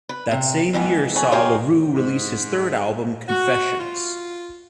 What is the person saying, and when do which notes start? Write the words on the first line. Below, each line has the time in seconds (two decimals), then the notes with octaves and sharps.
That same year saw LaRue release his third album "Confessions".
0.09 B4
0.31 C3
0.73 F2 G#2 E3 B3
1.15 B3 C#4 G#4 A4
1.32 F4 G4 G#4 A#4 C#5 D#5
1.94 G#2
3.29 F#4
3.79 F4